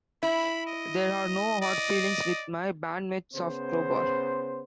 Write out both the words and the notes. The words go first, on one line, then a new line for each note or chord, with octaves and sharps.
There are no hard feelings with my bandmates of Crowbar.
E4 B5
D#5
D5 D#5
C#3 B3 C5